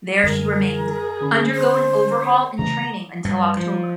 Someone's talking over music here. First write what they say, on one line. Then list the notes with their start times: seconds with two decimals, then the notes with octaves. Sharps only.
There she remained, undergoing overhaul and training until October.
0.24 F#2 D3 F#3 G3 G#4 A#4
1.20 D3 C#4 B5
1.55 C5
2.59 C#3 E3 A3 A#5
3.25 G2
3.57 F3